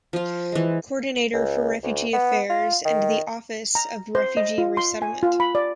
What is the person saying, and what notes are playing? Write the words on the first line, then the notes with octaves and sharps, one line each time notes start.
Coordinator for Refugee Affairs and the Office of Refugee Resettlement.
F3 F4
E3 G#3
C#2
D2
B3
F4
D#3
A#5
C5
D#5
F4
C6
G#5
F4
B5
D5